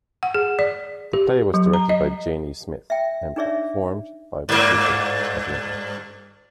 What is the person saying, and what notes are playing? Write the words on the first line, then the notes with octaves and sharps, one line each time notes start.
The play was directed by Janie Smith and performed by people of Lincoln.
F#5
G#4
D5
G4
F#3
A#5
D#5
E5 G5
D4 D#4 G#4 C#5 D5 E5
G2 A#3